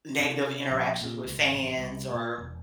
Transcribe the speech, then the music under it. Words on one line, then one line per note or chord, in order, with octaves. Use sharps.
negative interactions with fans or,
C3
A#1
A#2
C#2
G#1
A1
C2
A#2
E1